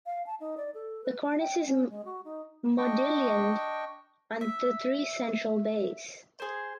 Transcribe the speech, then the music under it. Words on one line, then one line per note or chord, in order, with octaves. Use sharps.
The Cornice is modillioned on the three central bays.
F5
A5
D#4
D5
A4
B4
A5
G5
C#4
G#3
F#4
D#4
D4 D#5 G5 C#6
E5
G#4 C5